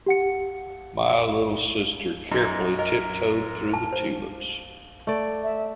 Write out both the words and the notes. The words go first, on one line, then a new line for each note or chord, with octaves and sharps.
My little sister carefully tiptoed through the tulips.
G4 F#5 C#7
F#2 D#4
A#4 D#5
A5
C5
A3 D5
E5